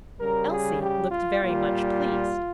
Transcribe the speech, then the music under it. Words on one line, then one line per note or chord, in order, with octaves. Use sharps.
Elsie looked very much pleased.
C#3 G3 A#4
G#4
G4
F4
A#2 G3 F4